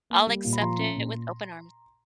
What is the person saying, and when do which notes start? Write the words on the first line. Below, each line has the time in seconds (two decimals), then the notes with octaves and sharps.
I'll accept it with open arms.
0.10 A#3
0.27 G3
0.44 A#2
0.53 B5
0.60 F3 A#5 C6
0.78 C#4
0.95 A#2